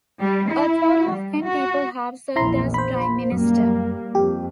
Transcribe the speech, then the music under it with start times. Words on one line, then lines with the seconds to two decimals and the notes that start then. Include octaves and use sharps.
A total of ten people have served as Prime Minister.
0.19 G3
0.51 E4
1.11 G3
1.44 F#4
2.36 A#1 E2 E4 A#5 C6
2.74 C5 B5
3.32 F#2 G3 A#3
4.15 F2 G4